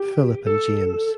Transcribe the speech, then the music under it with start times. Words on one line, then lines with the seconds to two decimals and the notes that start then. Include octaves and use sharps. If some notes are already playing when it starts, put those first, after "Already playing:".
Philip and James.
Already playing: G4
0.47 A4